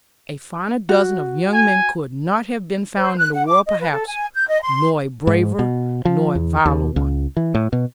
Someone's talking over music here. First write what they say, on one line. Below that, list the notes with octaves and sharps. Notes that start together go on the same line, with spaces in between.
A finer dozen of young men could not have been found in the world perhaps, nor a braver, nor a viler one.
F#4
G#5
C5
F#6
F#5
D6
D#5
B4
A4
G#5
G6
D#5
C6
G#2
B2
F3
E2
D#2
C#2
E3
A2
B2